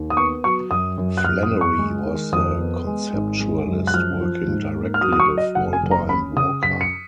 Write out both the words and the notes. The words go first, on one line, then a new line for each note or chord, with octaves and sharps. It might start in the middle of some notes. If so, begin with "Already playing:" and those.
Flannery was the conceptualist working directly with Wolper and Walker.
Already playing: D#2
D#6
B3 C#6
F#3 C#6
F#2 D#6
F#2
F#6
F#2 F6
D#6
F#2
C#6
G#3
D#3
F2 D#6
B3
G#3
G#1
G#3
F#2
F#6
F3 F6
F3
G#2
A#3
F6
F#3 D#6
D#6
C#6
F#3
D#5
F#1 F#5
G#5
F#1
A#5
C#4 B5
C#3 D#6
F#2 B6
C#7